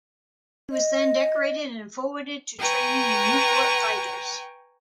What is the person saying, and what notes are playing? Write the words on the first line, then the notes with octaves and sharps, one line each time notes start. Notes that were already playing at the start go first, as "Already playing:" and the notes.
He was then decorated and forwarded to training in Nieuport fighters.
D#5
B4 G5 G#5 A#5 C#6